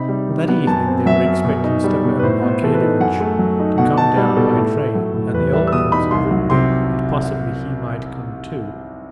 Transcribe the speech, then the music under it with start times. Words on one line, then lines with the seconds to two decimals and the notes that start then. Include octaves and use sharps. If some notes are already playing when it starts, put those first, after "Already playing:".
That evening they were expecting Stepan Arkadyevitch to come down by train, and the old prince had written that possibly he might come too.
Already playing: C3 D#4 B5
0.09 G3
0.29 D#3
0.48 B3
0.67 F#2 A5
0.87 C4
1.06 F#3 E5
1.25 F#2
1.45 B2
1.64 D#4
1.84 G3
2.04 B2
2.19 B4
2.23 A2 C5
2.43 B3
2.48 C5
2.62 E3 A4
2.74 B4
2.81 D#4
3.00 F#2 F#5
3.20 A3
3.39 F#3
3.60 D#4
3.78 B2 F#5
3.97 D#4 A5
4.17 G3
4.36 B2 A4
4.56 A2
4.75 A3
4.95 F#3
5.14 A2
5.34 E2 B4
5.53 G3 E5
5.67 E6
5.72 B2 D#6
5.92 D#4 B5
6.11 C2 C6
6.31 F#3
6.50 C3 C6